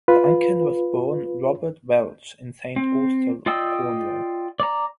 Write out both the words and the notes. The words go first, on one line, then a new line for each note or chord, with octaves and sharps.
Duncan was born Robert Welch in Saint Austell, Cornwall.
F4 B4
C4
F4 D5 D#5 G5 E6
D5 A#5